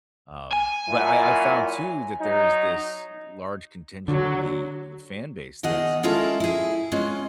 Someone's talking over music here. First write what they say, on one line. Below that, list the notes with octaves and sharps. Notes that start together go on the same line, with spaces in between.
Um, but I I've found too that there's this large contingent of the the fan base that's
G#5
A#2 F#3 E4
F#3 D#4
D3 F#3
E2 D#3 D#4 G#4 F#5
G#3 C#4 E4 F4 A4 A#4
E4 G#4
G#3 C#4 F4